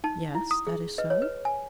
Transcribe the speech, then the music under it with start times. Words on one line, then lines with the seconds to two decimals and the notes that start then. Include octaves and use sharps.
"Yes, that is so."
0.04 D#4 A5
0.35 E4
0.51 D#6
0.67 G#4
0.98 B4 D#5
1.10 C#5
1.22 B4
1.45 G#5